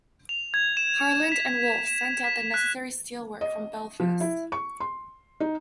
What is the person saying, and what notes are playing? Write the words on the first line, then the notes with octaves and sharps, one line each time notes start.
Harland and Wolff sent out the necessary steel work from Belfast.
F7
G#6
E7
B6
E7
B6
F#6
D#5
F3
E4
C#6
C6
D#4